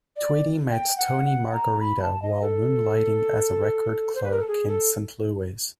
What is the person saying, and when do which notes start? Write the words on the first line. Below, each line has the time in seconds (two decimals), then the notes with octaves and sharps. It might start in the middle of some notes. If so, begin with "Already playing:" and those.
Tweedy met Tony Margherita while moonlighting as a record clerk in St. Louis.
0.17 D5
0.71 G5
0.98 F#5
1.26 F#5
1.53 A#5
1.80 B5
2.02 A5
2.22 D#5
2.42 A4
4.15 C5
4.23 B4
4.31 A#4
4.40 A4
4.48 G#4
4.68 A4